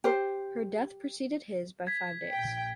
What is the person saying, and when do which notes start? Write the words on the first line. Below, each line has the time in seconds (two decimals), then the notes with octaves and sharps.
Her death preceded his by five days.
0.04 G4 C5
1.87 G#6 B6
2.32 A#1 G5